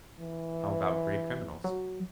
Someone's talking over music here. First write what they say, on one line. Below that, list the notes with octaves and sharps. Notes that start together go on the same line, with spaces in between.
"How about great criminals?"
E3
F#3